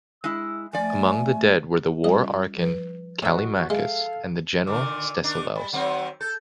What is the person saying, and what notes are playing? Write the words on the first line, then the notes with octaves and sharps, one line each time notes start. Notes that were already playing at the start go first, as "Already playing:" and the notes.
Among the dead were the war archon Callimachus and the general Stesilaos.
G#3 E4 E6
F3 A3 D5 G#5
G3 C#4 F4 D#5
F3 B4
A2 F#4 D#5 E5
G#3 A4 E5 F5
A#2 D3 D#3 D6
D#3 D4 D#4 D6
G3 B5
D#3 F#3 C4 F#5
A4 G6